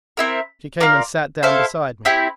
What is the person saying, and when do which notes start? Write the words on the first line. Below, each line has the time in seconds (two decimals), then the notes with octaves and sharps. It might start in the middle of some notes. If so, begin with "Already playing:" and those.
She came and sat down beside me.
0.17 C4 E4 A#4
0.80 F4 A#4 D5
1.43 E4 A4 C5 F5
2.05 C4 E4 G4